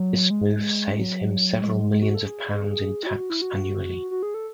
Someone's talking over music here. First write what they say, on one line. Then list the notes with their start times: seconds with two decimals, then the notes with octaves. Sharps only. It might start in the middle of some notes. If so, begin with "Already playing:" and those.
This move saves him several millions of pounds in tax annually.
Already playing: F#3
0.30 G#3
0.99 F#3
1.62 G#3
1.68 F#3
1.80 G#3
1.92 G#3
2.02 F#4
2.14 A4
2.26 G#4
3.03 E4
3.07 F#4
3.19 F#4
3.30 E4
3.42 F#4
4.11 F#4
4.23 G#4
4.34 A4